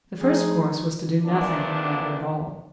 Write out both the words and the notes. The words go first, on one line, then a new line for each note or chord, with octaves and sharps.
The first course was to do nothing in the matter at all.
F3 A3 D4 D#4 G#4
E2 A#2 D#3 C4 D4